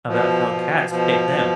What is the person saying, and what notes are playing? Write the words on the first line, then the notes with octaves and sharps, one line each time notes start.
about how cats pick them.
B2 F3
B2
B2 F3
B2